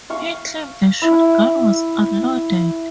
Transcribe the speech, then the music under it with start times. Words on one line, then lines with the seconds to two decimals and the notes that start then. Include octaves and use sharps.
He claimed the shotgun was unloaded.
0.10 F5 C#6
1.02 E4